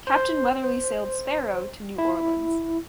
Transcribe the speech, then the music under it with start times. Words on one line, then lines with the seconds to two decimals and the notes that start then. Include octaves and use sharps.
Captain Weatherly sailed "Sparrow" to New Orleans.
0.07 C5
1.98 E4